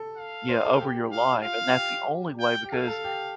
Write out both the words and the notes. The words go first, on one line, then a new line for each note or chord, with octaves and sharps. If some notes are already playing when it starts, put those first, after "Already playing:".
yeah, over your life, and that's the only way because,
Already playing: A4
F5
C5
A4
G4
F5
F4 F5
G4
G5
G4
A4 F5
A4
G4